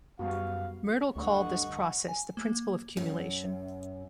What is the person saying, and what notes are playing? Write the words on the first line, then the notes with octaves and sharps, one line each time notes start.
Myrdal called this process the "principle of cumulation".
F#2 G3 B3 F#4 F5
D2 G2 D3 D#5 F#5 C#6
G#5
A#3
F#2